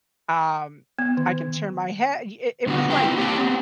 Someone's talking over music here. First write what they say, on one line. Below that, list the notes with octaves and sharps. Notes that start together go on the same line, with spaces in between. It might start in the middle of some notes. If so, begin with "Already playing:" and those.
Um, I can turn my hea y i it was like
B3
D#3
G2 D3 B3 F#4
G2 F4 B4 G5
C4 E4
A#3 G4 C#5 F5 G5 A5
B3 C4